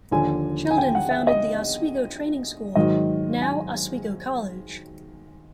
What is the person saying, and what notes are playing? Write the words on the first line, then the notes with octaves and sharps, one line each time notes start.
Sheldon founded the Oswego Training School, now Oswego College.
D#2 D3 F3 G#5
G#5
G5
F#5
E5
D#5
G#2 D#3 F#3 D#5
G#5